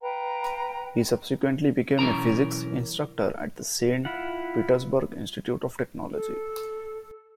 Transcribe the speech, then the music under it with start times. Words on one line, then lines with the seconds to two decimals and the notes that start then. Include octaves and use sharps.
He subsequently became a physics instructor at the Saint Petersburg Institute of Technology.
0.01 B4 F5 G5 A#5
1.99 B1 E3 C#4 A#4 A#5
4.05 E4 F4 F#5
6.14 A4